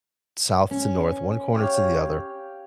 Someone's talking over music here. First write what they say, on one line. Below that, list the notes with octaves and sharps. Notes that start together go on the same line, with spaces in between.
south to north, one corner to the other
C#4
G4 C#5 F5